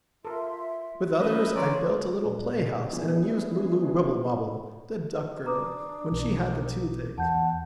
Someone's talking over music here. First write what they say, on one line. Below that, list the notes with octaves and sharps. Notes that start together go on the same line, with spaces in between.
With others I built a little play house, and amused Lulu Wibblewobble, the duck girl, when she had the toothache.
F4 A4 A#4 E5 C6
A3 C#4 A#4 B4 D#5 E5 D#6
E3 C#4 G#4 C#5 D5 A#5 C6
A#2 G3 D4
F3 B3 D4 E4 G#4
D4 A#5 D6 D#6
B1
E2 F#5 A5 G6